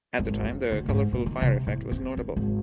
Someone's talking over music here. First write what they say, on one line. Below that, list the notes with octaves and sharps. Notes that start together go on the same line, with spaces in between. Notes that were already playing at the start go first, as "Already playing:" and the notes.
At the time, the colorful fire effect was notable.
G#1
F2
D2
G#2
A#2
D#3
C3
A2
C4
D#3
G#1